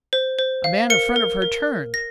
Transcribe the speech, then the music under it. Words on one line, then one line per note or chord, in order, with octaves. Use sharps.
A man in front of her turned.
C5
C5
F5
A#4 C#7
A#4
A#4
A#4
A#4 A#6